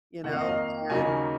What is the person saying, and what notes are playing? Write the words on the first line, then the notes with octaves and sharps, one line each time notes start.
you know? And,
F2 D#3 A#3 D#4 F#5
F5
D#5
F5
D#2 C#3 F#3 A#3 D#4 G#5